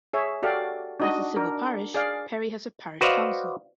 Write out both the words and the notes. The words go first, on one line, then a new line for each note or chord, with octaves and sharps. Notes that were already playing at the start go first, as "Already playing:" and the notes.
As a civil parish, Perry has a parish council.
G#4 C#5 E5
F#4 G4 A4 D5 F5
D4 D#4 F#4 D#5
D4 A#4
G#4 D5 F5
F#4 B4 C5 D5 D#5 F5